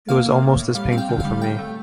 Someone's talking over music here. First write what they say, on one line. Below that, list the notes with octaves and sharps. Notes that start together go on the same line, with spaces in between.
It was almost as painful for me.
A#3 F5
A#3
A2
A2
G3 F5
C4 F5
G5
D3
G3 F5
A2 G5
A3